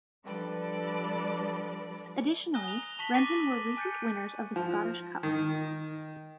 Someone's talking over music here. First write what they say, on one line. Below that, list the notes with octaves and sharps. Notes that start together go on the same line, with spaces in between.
Additionally, Renton were recent winners of the Scottish Cup.
F3 G3 D4 A4 B4 D5
G#5 A#5 D#6 F#6 A#6 G7
F7
A5 C#6 B6 F#7
C#6 D6 A6 A#6 D#7
G#5 F#6 G6 A6 C#7
F3
D#3